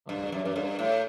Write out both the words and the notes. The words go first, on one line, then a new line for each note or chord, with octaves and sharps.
uh, but
G2
F#2
F#2
G2
A2